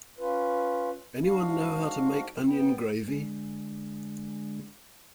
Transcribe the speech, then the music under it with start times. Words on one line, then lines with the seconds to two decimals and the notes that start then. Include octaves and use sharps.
Anyone know how to make onion gravy?
0.19 C#4 F4 B4
1.24 G#2 D4 F#4 F5
2.47 B3 G5
3.08 D3 G#3